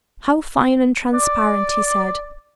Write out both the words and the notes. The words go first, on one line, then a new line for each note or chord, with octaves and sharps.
"How fine and transparent," he said.
D5